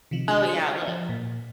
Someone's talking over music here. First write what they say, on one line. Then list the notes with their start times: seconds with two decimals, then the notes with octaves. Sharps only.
Oh, yeah, the
0.11 C3 D#3 F3
0.28 D4 F#4
0.46 C5 C#7
0.88 F3
1.09 A#2